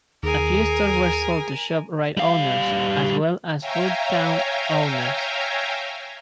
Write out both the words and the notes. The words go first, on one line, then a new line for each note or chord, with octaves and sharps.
A few stores were sold to Shop Rite owners as well as Foodtown owners.
D#2 G#4 A#4 G#5
G3 F5
C#5 E5 F5 G5 G#5 A#5